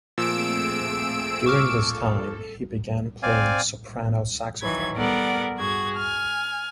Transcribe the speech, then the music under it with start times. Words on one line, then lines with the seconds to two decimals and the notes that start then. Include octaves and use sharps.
During this time, he began playing soprano saxophone.
0.18 A#2 F3 A3 C4 G#4 E6 D7
1.46 A4 C#6 D6 F6
3.23 C4 D5 F5 G#5
4.61 D#3 E3 F#3 B4 G#6
4.96 G3 B3 A4 A#4 D5 F#5
5.57 G2 F#4 G#4 G#6
5.96 G#5 F6